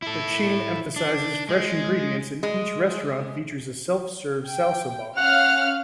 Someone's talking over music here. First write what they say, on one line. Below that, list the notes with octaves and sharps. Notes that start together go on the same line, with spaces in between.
The chain emphasizes fresh ingredients, and each restaurant features a self-serve salsa bar.
E4 A4
D4
G#3
G#3
G5
C#4 F5 F#5 F6